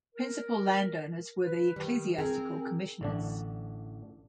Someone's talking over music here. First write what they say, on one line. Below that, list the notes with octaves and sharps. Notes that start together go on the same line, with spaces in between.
Principal landowners were the Ecclesiastical Commissioners.
A#4
B4
D#3 G3
C4 G#4 A#4
A1 D3 D4